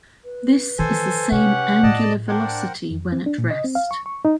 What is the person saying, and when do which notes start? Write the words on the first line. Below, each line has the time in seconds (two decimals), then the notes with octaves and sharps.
This is the same angular velocity when at rest.
0.25 B4
0.79 D#3 E3 A4 C5 G#5
1.32 C3 C#4 G4 F#5
1.83 A2 D5 D#5 A5
2.28 D4 A#4 C5 F#5 G5
2.91 F2
3.12 C4
3.26 D4
3.38 A#2
3.51 D#5
3.64 C4
3.75 F5
3.91 C#6
4.06 C#6
4.25 D#4